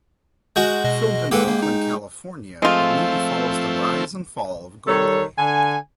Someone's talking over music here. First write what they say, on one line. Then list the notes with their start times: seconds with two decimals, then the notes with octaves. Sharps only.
Filmed in Oakland, California the movie follows the rise and fall of Goldie.
0.56 G#3 F#4 G6
0.84 B2 D#5
1.32 G#2 A#3 G4 A4 B4
1.47 A#3
1.62 D#4
2.62 F3 G#3 A3 C4 F4
4.87 D#3 G3 A4 C#5
5.38 D3 G#5